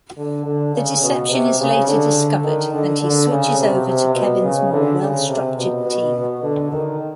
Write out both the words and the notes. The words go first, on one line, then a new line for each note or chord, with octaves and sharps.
The deception is later discovered and he switches over to Kevin's more well-structured team.
D3
D3
C#3
B2
C3
C#3
D3
D#3
D3
D3
C#3
C3
C3
B2
C#3
D3
C#3
C3
B2
B2
B2
D3
D#3